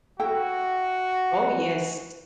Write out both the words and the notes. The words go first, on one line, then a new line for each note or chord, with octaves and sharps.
Oh, yes.
E4 F#4 A4 G5